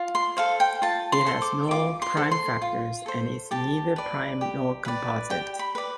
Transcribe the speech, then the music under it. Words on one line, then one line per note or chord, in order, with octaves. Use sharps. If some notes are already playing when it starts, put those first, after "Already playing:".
It has no prime factors and is neither prime nor composite.
Already playing: F4
C6
A4 C5 F5
G5
F4 A5
C6
A4 C5
D6
F4 D6
C6
A4 C5
C6
F4
A4 C5
G4 A5
B4 D5
G4
B4 D5
G4 G5
B5
B4 D5